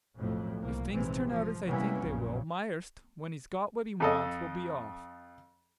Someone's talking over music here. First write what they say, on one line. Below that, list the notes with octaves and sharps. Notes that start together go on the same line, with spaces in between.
If things turn out as I think they will, Myerst, when he's got what he wants, will be off.
B1 F2 A2
C2 B2 A#3
A#1 G#2 C3 E3 C4
F3
C3 E3 G3 A#3 B3 C#4
A#1 F#2 A#2 C#3
F2 A4 D#5